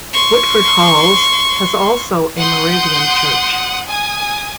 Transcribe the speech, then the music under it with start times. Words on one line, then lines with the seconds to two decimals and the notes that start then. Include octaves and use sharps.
Woodford Halse has also a Moravian Church.
0.13 C6 C#6
2.36 F#5 C6 D#6 G6
3.88 G#5 D#6